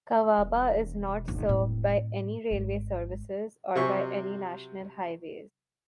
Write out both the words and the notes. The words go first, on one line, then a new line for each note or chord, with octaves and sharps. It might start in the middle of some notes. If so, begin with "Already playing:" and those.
Kawaba is not served by any railway services or by any national highways.
E1
G#1 D2
A2 C4
G#1 G#3
C3 F#3 C5 E5 G#5 C#6